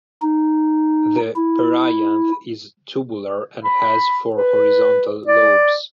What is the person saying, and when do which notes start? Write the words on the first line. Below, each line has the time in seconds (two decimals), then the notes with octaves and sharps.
The perianth is tubular and has four horizontal lobes.
0.22 D#4
1.36 E4
3.65 B5
4.36 B4
5.28 D5